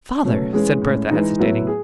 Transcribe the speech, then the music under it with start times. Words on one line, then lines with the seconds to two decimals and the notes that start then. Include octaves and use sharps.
"Father!" said Bertha, hesitating.
0.24 B2 F#3 A3 C#4
0.53 E3 G#3 C#4 G#4
0.82 A2 G#3 C#4
1.10 E3 G#3 D#4
1.38 A2 F#3 B3 E4
1.67 G#4